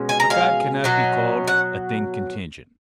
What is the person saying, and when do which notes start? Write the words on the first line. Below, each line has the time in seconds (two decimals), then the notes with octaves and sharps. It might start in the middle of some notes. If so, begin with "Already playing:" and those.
But God cannot be called a thing contingent.
Already playing: B2 G#3 C#4
0.09 G#5
0.20 A#5
0.30 F5 G#5
0.84 B2 F#3 C#4
1.47 F#5